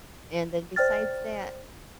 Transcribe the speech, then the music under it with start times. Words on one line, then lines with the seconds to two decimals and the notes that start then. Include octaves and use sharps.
And then besides that,
0.76 C5 D5 G5 F6 A6